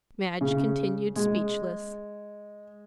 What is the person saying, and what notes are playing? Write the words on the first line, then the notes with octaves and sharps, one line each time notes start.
Madge continued speechless.
C#3
G#3